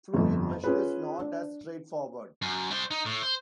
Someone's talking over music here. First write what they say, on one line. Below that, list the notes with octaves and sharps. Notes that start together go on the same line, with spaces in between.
Fluid measure is not as straightforward.
G1 F2
C#4 F4 G#4 B4
D4
F#2
G3 C5
D#4
A2
C5